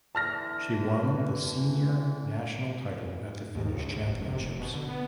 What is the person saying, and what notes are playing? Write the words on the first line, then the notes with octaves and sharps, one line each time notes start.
She won the senior national title at the Finnish Championships.
D3 E3 A5 F6 A#6
D#2
C#2
D2
G1
C3
F1
B2
D3
B3